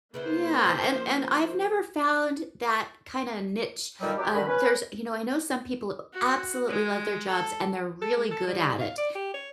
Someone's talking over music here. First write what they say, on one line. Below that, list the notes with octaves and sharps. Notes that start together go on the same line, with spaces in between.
Yeah, and and I've never found that kinda niche, um, there's you know, I know some people absolutely love their jobs and they're really good at it,
C#3 A#3 B3 E4 C5
F3
G2 A#2 D3 D#3 F#3 G3
F#3 G4
F#2 D3 D#3 B5
C#4 B4
F#4
G#3
A4
A4
G#3
A4
G3
F5
D5
G4
C#5